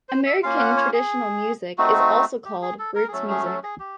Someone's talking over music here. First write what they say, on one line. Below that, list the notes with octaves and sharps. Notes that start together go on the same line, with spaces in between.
American traditional music is also called roots music.
C5
E5
A#3 C#4 F4 F5
F#5
C#5
G#4
A3 C4 D#4 F#4
G4
G#4
A4
A#4
G#4
F#3 A3 C#4 A4
G#4
A4
G#4
G4